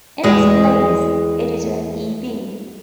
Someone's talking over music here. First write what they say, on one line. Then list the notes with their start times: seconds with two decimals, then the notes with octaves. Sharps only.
In its place, editor E. B.
0.23 E2 G#3